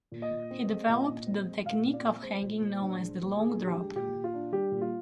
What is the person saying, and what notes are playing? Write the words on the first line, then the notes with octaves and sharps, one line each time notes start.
He developed the technique of hanging known as the "long drop".
A#2
D#5
A#2
C4
G#3
A#2
A#2
C4
G#3
A#2 F5
A#2
D5
C4
G#3 C5
A#2
A#2
D4
G#3
A#2
A#2 G#4
D4
G4
G#3
A#2 G4
A#2
F4
D4
G3 G4
A#2
F4